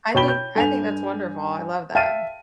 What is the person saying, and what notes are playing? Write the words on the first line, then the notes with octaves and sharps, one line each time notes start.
I think I think that's wonderful, I love that.
B2 C#5 G5 B5 G7
G6
G2 A4 G#5 F7
E5 F5 G5 A5 D#7